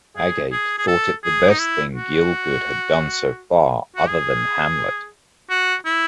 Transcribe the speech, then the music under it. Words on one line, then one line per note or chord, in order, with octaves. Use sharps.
Agate thought it the best thing Gielgud had done so far, other than Hamlet.
G#4
G#4
G#4
A4
G#4
D#4
E4
F#4
F#4
G#4
F#4
E4